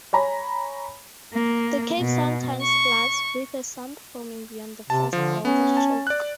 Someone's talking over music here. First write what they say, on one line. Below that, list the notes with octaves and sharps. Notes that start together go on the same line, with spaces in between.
The cave sometimes floods, with a sump forming beyond the first boulder choke.
C#5 G#5 A#5 B5
A#3
B2
C#6
C3 A5
D3 F3
B3 C#4
A5
D5 F#6